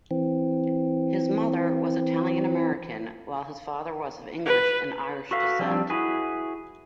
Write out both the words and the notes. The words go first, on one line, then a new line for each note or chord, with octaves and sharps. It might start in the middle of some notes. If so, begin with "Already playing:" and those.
His mother was Italian American, while his father was of English and Irish descent.
E3 C4
B4
F#4 A4 B4 F5
F3 G3 C4 D4
E4 F#4 G#4 B4